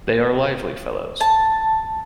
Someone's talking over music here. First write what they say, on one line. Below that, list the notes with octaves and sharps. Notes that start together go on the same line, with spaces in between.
They are lively fellows.
A5